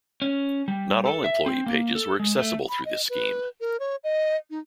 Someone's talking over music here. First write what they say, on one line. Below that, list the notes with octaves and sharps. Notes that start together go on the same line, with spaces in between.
Not all employee pages were accessible through this scheme.
C#4
G3
A4
E5
C4
A#3
A4
G#3
A3
B5
D#5
B4
A#4
C#5
D#5
D#4